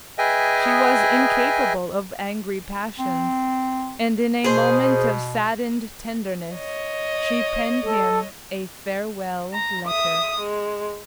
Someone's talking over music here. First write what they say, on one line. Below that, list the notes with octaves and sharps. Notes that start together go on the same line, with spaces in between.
She was incapable of angry passions, and in a moment of saddened tenderness she penned him a farewell letter.
G#4 B4 D#5 E5 G5 G#5
C4
B2 G#4 C5
C#5 D#5
A4
A#5
E5 D#6
G#3